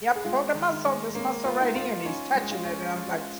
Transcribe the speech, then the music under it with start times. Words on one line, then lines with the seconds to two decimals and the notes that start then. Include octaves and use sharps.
Yep. Pulled a muscle, this muscle right here," and he's touching it, and I was like,
0.15 G#4
0.24 G#3 F4
0.54 D#3
0.70 D#4
0.84 G#3
1.15 A#3 C#4
1.45 F4
1.60 D#4
1.76 F4
2.05 C#4 D#4
2.35 G#3
2.41 G#4
2.51 F4
2.66 C#4
2.96 F4